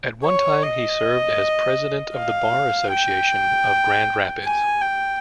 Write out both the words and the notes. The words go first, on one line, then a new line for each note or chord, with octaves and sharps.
At one time he served as President of the Bar Association of Grand Rapids.
C#5
D#5
F5
G5
G#5
G5